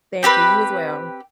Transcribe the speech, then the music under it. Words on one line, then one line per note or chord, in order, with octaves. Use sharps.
Thank you. You as well.
C4 G4 A#4 B4